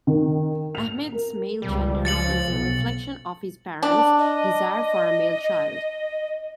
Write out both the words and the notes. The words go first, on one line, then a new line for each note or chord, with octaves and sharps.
Ahmed's male gender is a reflection of his parents' desire for a male child.
D#3
F7
A#4
C#2 G3
F3 A6 C#7 F#7
B1
D4
D#5